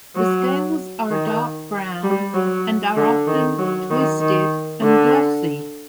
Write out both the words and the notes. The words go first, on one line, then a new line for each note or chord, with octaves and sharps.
The scales are a dark brown and are often twisted and glossy.
F#3
D#3
G3
F#3
D3
D#3
F#3
D#3
D#3
D3